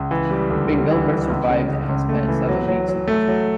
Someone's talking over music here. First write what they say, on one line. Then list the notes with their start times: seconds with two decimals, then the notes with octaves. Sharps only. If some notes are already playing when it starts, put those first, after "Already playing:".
Ben Gimbert survived and spent seven weeks in hospital.
Already playing: C#2
0.11 E3
0.31 G3
0.50 D2
0.70 G3
0.90 E3
1.10 E3
1.30 C#2
1.50 C#3
1.69 C#3
1.89 C#2
2.09 A3
2.28 E3
2.49 F#3
2.68 F#3
2.89 F#3
3.08 A3
3.28 F#3